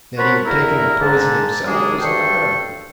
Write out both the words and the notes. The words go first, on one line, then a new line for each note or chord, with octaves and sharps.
That he had taken the poison himself was incredible.
A#4 C5 C#5 F#5 A5 B5
E2 G2 E4 A#4
G#2 D3 A5
D#2 F#3 G#3 D4 G#4
D2 G2 A4 G5 C6 C#6